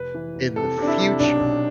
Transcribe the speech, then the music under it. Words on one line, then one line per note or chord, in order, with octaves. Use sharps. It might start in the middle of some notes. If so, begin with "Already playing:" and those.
in the future
Already playing: F1 B4
E3
F1
C3 A4
C3 D4
E4
C3
B1 D4
B1